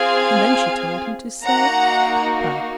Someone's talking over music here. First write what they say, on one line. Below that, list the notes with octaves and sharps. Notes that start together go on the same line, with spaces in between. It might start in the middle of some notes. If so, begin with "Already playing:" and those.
And then she told him to say papa.
Already playing: C4 F4 G#4 F5 G#5
A#3 D#4 F#4 F#5 A#5